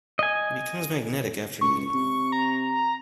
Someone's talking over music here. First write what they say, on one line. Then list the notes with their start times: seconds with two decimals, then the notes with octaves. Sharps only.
It becomes magnetic after heating.
0.19 D#5 G#5
1.61 C#2 C#6
1.94 C3
2.32 A#5